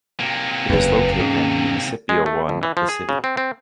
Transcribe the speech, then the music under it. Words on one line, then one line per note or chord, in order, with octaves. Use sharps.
It is located in Municipio One of the city.
C3 A#3
F#1 E2 B4
G#2 C#4
G#3
A3
F2
E3
F3
G#4
C#3
C4
C4